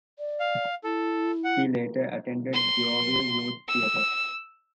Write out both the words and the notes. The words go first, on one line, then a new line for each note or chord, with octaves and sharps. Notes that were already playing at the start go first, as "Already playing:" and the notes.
She later attended Yeovil Youth Theatre.
D5
F5
E4 A4
F#5
C6
E6